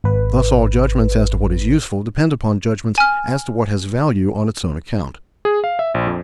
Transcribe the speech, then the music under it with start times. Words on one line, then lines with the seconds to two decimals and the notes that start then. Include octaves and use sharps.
Thus all judgements as to what is useful depend upon judgements as to what has value on its own account.
0.04 G#1 B4
2.98 G#5 F6
5.45 G#4
5.64 F5
5.79 E5
5.94 A#1
6.07 F2